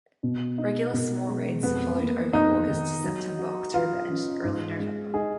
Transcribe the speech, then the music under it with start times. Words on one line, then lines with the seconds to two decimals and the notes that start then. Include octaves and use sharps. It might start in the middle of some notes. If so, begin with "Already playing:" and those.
Regular small raids followed over August, September, October and early November.
0.23 B2
0.58 D#4
0.93 B2
1.28 G#3
1.63 F2 B3
1.99 A#3
2.33 F2 D#4
2.68 D#3
3.04 F#3
3.39 F#4
3.74 F4 B4
4.09 C#4
4.44 G#2
4.79 G#3
5.14 D#4 G#4